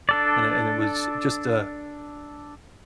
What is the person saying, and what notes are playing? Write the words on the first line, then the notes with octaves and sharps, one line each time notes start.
And it and it was just a
D4 A4 D5